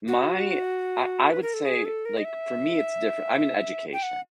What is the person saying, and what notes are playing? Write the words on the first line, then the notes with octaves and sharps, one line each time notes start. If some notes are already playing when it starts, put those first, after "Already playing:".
my I I would say, like, for me it's different. I'm in education
F#4
B4
A#4
A4
G#4
A4
A#4
D#5
E5
G5
F#5